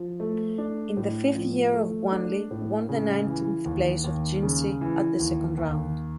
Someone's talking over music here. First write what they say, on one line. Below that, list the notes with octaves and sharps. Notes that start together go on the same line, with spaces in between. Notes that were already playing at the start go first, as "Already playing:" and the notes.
In the fifth year of Wanli, won the nineteenth place of Jinshi at the second round.
Already playing: F3
A3
D4
A2
F3
A3
D4
A2
C#3
E3
D#2
D#2
C#3
E3
D#2
D#2